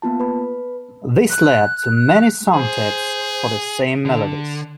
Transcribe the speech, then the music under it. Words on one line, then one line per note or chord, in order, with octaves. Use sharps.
This led to many songtexts for the same melodies.
A#3 B3 F4 A5
B4 B5
F#6
G#4 C5
D3